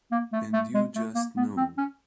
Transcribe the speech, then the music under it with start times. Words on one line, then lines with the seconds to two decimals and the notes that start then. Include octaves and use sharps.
And you just know.
0.11 A#3
0.32 A3
0.53 A3
0.74 G#3
0.95 A3
1.15 A#3
1.37 B3
1.57 C4
1.78 C#4